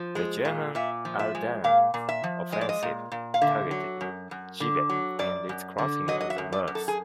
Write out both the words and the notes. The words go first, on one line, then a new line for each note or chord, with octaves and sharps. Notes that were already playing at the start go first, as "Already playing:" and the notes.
The German Ardennes Offensive targeted Givet and its crossing of the Meuse.
Already playing: F3
G#3
A#2
A#2 E5
F3
E5
G#3
A#2 F5
A#2
E5
F3
G#3 D#5
D5
D#5
A#2
A#2
F5
D3 E5
F#3
F#2
F#2
D3
F#3
F#2 D5
F#2
D3
F#3 D#5
D#5
E5
F#2
D5
F#2
A4
G#4